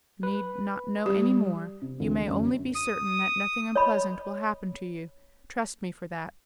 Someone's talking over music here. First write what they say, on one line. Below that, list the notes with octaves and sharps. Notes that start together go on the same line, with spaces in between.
You need not know any more: you may only be certain that nothing unpleasant will happen to you; trust me for that.
B4
G3 G4
C3
D2
F#2
D#6
C#5 D#5 B5